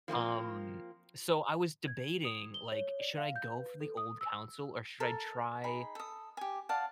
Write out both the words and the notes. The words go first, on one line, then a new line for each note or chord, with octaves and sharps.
Um, so I was debating, like, should I go for the old console or should I try
F3 A#3 C4 F4
G#6
D#6
G7
C#5
D5
F5
G6
B4
A4
D#6
E6
A4 A#4
D#4 G#4 B5
A4 D#6
G4 G#5
D5 F5 F#5 A5